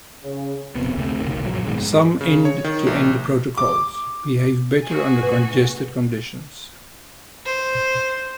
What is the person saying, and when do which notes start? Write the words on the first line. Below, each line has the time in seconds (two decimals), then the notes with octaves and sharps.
Some end-to-end protocols behave better under congested conditions.
0.23 C#3
0.75 F1 C3 B3
0.96 D2 C3 A3
1.21 F#1 B1 D#3
1.43 A#1 G2 F#3
1.67 G#2 B2 D#3 G#3
1.81 G#2
2.21 C#3
2.45 C#5
2.64 D#3
2.87 A#1
3.57 D6
4.84 F#4 G#4
5.23 G#2 C3 A#3 B4
7.45 C5